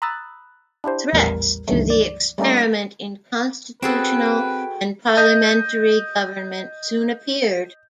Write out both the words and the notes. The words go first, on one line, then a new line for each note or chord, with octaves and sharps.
Threats to the experiment in constitutional and parliamentary government soon appeared.
A#5 B5 D#6 E6 F#6 A6
D4 E4 G4 C5
A#1 E2 A2 G3 A#4 B4
C#2 G2 D#3 E3 F#3 A3
D5
G3 A3 A#3 C#4 D#4 D5
C4 F#4 G#4 A4 B4 G5
D#5 G6